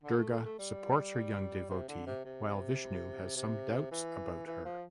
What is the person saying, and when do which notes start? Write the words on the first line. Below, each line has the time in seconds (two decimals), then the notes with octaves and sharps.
Durga supports her young devotee while Vishnu has some doubts about her.
0.03 D3
0.17 A3
0.31 A3
0.45 A3
0.58 G3
1.69 C3
1.88 D3
2.06 C3
2.25 C3
3.36 C3
3.91 E3
4.46 E3
4.65 F3